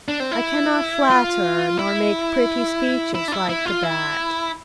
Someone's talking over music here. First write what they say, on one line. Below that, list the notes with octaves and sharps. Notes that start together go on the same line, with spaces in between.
I cannot flatter nor make pretty speeches like the Bat.
D4
C4
E4
F4
E4
E4
D4
E4
E4
F4
E4